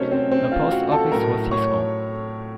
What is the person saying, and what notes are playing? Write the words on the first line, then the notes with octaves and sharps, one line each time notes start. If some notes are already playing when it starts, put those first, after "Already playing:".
The post office was his home.
Already playing: C3 F#3 A3 C#4 D#4 A#4 C5 C#5
C4 C5
C4 C5
F4 F5
F#4 F#5
A4 A5
A2 F#3 A3 A#4 A#5
C#5 C#6